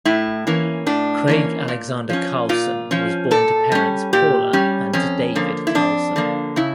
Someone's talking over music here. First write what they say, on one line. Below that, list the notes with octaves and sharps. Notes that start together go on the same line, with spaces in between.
Craig Alexander Carlson was born to parents Paula and David Carlson.
A2 E4
E3 A#3 C#4
A2 D4
E3 A#3 C#4
A#2
F3 C#4
A#2 F4
F3 C#4
A#2 A4
G3 C#4
A#2 G4
G3 C#4
F2 C#4
D3 F3 A#3
E4
F2 D4
D3 F3 A#3
C#3 E4